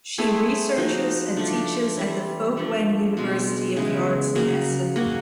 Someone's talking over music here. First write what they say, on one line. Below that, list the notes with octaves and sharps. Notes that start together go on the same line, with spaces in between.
She researches and teaches at the Folkwang University of the Arts in Essen.
A3 C4 E4 G#4
F3 A#3 D#4 F#4
F3 A3 D4
E3 G3 C4
F3 A3 D4
B2 G#3 C4
C#3 E3 G#3 B3
C#3 F#3 A#3
F#3 A#3 C#4 F#4